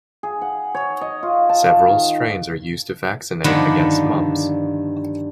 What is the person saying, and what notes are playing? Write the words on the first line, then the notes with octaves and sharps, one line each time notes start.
Several strains are used to vaccinate against mumps.
G#4
F#5
C#5
D#5
F4
A5
F5
D#3
G2 D3 D#3 F3 B3 D4